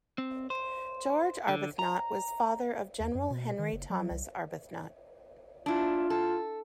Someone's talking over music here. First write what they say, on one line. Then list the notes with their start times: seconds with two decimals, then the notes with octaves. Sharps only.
George Arbuthnot was father of General Henry Thomas Arbuthnot.
0.18 C4
0.50 C5
1.49 D3
1.79 A#5
3.00 D#2
3.15 F#2
3.30 B2
3.59 D#3
3.72 F#1
3.90 F#3
4.11 C2
5.66 D4 E4 F4
6.10 A4